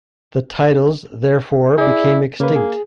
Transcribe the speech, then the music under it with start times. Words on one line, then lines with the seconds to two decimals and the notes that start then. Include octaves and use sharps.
The titles therefore became extinct.
1.78 E4 G#4 D5
2.40 C#3 A#3 B4
2.56 G#4